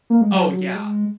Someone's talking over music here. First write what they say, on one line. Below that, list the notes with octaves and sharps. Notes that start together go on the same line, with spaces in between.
Oh, yeah.
A#3
G#3
F#3
F#3
G#3